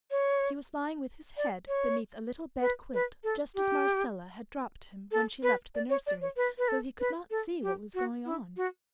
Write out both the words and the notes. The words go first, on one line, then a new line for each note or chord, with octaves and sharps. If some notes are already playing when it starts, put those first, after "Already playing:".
He was lying with his head beneath a little bed quilt, just as Marcella had dropped him when she left the nursery; so he could not see what was going on.
C#5
D5
C#5
B4
B4
A4
G4
A4
B4
D5
C#5
D5
C#5
B4
B4
A4
B4
A4
G4
F#4
E4
F#4